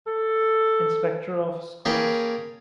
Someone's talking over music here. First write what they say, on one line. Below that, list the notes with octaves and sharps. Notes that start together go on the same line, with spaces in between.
Inspector of Schools.
A4
A#3 C#4 G#4 G5 A5 B5